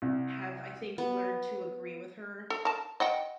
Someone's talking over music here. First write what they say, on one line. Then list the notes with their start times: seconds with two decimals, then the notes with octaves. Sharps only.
have, I think, learned to agree with her,
0.02 C2
0.98 B3
2.50 A4
2.65 A#4 A5
3.00 D#5 F#5 G5